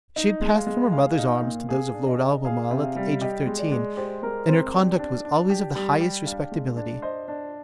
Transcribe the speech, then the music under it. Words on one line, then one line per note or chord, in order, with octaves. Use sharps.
She had passed from her mother's arms to those of Lord Albemarle at the age of thirteen, and her conduct was always of the highest respectability.
D#4 D#5
G#3
F5
G#3
G#4 F5
F5
D#4
A#2
G#4 F5
D4
D#5
G#4
G#4 F5
C3
F5
G3
G4 D#5
G#3
D5
G#3
G4 C5
G#3 A#4
C4 C5
G4 D5
D4
D4
G4
G3
G4
D4 F5
G#3
D4
C5 D#5
D4